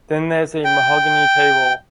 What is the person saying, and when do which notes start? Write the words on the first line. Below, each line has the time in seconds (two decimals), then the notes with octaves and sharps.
Then there's a mahogany table.
0.64 G5